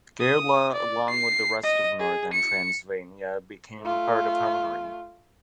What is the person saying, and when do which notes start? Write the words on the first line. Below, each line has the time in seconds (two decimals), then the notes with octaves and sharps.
Gherla along with the rest of northern Transylvania became part of Hungary.
0.20 D#6
0.73 D5
1.10 C7
1.63 D#5
1.99 G#4
2.33 C#7
3.80 A3 F4